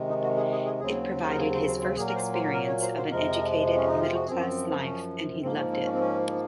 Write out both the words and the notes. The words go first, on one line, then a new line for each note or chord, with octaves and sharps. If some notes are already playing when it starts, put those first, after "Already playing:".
It provided his first experience of an educated, middle-class life, and he loved it.
Already playing: C3 D#3 G#3
D#4
F#4
G#4
G#4
G#4
D#2 C#3 F#3 C4 G#4
A#4
G#4
C5
C5
C5
A#2 F#3 A#3 G#4
A#4
C5
C5
A#4
C#5
C5
C5
F2 C3 F3 G#3 A#4
C#4
D#4
F4
F#4
F#2 F3 C4 G#4
F#4
C4
C#4
G#2 F3 A#3 C4
C#4
C4
C#4
C4
C#4